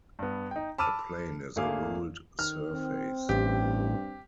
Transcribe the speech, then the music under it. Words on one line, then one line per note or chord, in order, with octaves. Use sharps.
A plane is a ruled surface.
G2 B3
D#4 G5
A5 B5 D6 E6 F6 D#7
G#1 A3 A#3 G#4 F5 D6
D#3 F6
C4
A1 G2 G4